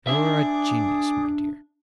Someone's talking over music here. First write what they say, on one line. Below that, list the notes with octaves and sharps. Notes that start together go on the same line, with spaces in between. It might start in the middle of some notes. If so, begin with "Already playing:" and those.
'You're a genius, my dear.'
D4 G#4 D5 E5 D6